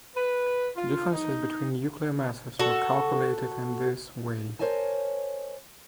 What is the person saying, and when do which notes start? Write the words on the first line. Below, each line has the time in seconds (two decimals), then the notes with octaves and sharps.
Differences between nuclear masses were calculated in this way.
0.15 B4
0.76 F4
1.11 D#4
2.59 F#4 A4
4.59 A#4 C5 C#5 D#5 G#5 A5